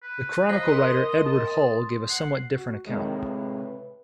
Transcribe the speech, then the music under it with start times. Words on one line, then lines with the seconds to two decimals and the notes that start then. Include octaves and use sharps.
The chronicle writer Edward Hall gave a somewhat different account.
0.03 B4
0.49 F3 D#5 A#5 A#6 C7
0.68 A#4 C6 D#6
1.25 A5
2.09 F#5 C7
2.56 F#4
2.87 A2 C3 D#3 G#3
3.27 B4